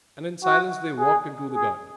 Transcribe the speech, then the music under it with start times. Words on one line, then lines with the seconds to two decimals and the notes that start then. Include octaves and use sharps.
And in silence they walked into the garden.
0.44 F#4
0.99 G#4
1.54 G#4